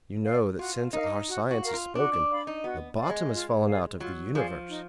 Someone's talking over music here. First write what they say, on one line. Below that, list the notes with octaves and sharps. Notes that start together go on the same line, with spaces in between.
You know that since our science has spoken, the bottom has fallen out of the Universe.
D5 F5
F4 F#4
D#4 A#4 F5
F#4
F#4
A#4 F5
F4
D4 F#4
D4
D5 F5 B5
D#4
B3 F#4
D5 F5 B5
G#3
F4
G#4 D5 F5
F#3 F4
F3 G#4 D5 F5
D#4